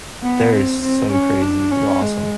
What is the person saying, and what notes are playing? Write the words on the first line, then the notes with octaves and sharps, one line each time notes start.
They're so crazy, they're awesome.
B3
C4
C4
C#4
D4
C#4
G#3